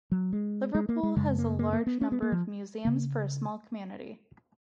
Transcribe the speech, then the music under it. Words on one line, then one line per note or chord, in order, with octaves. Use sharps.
Liverpool has a large number of museums for a small community.
F#3
G#3
G#3
A#3
G#3
F#2 C#3 G#3
A#3
A#3
A#3
B3
C#4
B3
A#3
F3
C#3 A#3